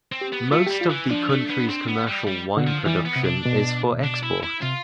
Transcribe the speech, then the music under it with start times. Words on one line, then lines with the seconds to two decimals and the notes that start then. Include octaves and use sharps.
Most of the country's commercial wine production is for export.
0.12 C4
0.21 G4
0.32 B3
0.52 A3 F4
0.67 G3 G4
0.81 F4
0.90 E3
1.10 F3 D4
1.29 A3
1.50 B3
1.69 C4
1.88 B3
2.08 G3
2.27 G3
2.57 D3
2.67 F3
2.86 E3 G3
3.06 B3
3.16 C3
3.25 D4
3.45 B2
4.04 D4
4.23 E4
4.43 E4
4.62 C3 F4